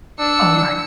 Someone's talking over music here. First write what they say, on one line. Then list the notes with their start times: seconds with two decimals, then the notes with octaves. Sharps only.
Oh my
0.19 D4 E6 C#7